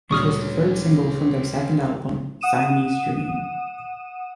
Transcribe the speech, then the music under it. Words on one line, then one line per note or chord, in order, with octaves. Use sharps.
It was the third single from their second album, "Siamese Dream".
D2 A#2 G3 G#3 C#4 C#6 D#6 F6
F#5 D#6 D#7 E7